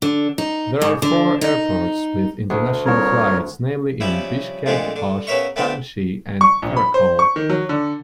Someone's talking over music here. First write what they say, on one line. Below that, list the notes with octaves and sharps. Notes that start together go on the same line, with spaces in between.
There are four airports with international flights, namely in Bishkek, Osh, Tamchy and Karakol.
D3
D#4
G#2
D3
D#4
D2
A#2 G3 C4 A#4 C#5
C#3 F3 G3 E4
F2 A#2 D3 G#3 A3
D3
C#3 B3 A#4 C#5 E5 C#6
A3 B3 C4 D4 F4
C#6
A#1
B5
C5
C#6
D#3
F#3
D3